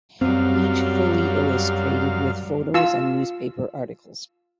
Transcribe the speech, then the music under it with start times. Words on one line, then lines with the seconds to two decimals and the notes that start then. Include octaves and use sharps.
Each fully illustrated with photos and newspaper articles.
0.21 F#2 F#3 G3 C4 F5
2.74 F4 E6